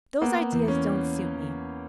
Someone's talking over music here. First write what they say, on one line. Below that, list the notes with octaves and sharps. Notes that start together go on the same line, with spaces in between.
Those ideas don't suit me.
A#3 B3
E2
C#4